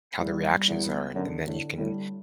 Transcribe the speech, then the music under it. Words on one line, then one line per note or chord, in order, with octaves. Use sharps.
how the reactions are. And then you can
E2 G3
G3
E2
B3
F#2 D3
A2 D3
A2 G3